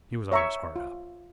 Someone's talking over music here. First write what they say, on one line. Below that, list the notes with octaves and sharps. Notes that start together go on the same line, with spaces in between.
He was always hard up.
C#5 E5 A#5 C#6
F4